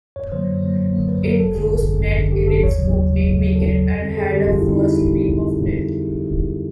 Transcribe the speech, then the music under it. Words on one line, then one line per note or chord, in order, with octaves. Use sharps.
It grossed nett in its opening weekend, and had a first week of nett.
F#2 C#5
D3 F#3 A#3 C5
F#2
D3 F#3 A#3
F#2
D3 F#3 A#3
F#2 B4
D3 F#3 A#3 A#4
G1 A4
F#2 D3 G#4
G1
F#2 D3
G1
F#2 D3
G1 G4
F#2 D3 A4
D#2 C#5
C#3 F#3
D#2
C#3 F#3
D#2
C#3 F#3
D#2 A4
C#3 F#3
F2
D3 G3 C4
A4
F2 G#4
D3 G3 C4 G4
F2 F4
E4
D3 G3 C4 D#4
E4